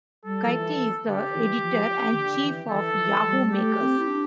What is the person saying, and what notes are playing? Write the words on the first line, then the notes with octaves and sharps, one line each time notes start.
Katie is the Editor and Chief of Yahoo Makers.
G3 A4
F3
E3
D3 G4
E3
F3
E3
D3
E3
E3 A4
E3
G3
A3 G4
C4
E4
D4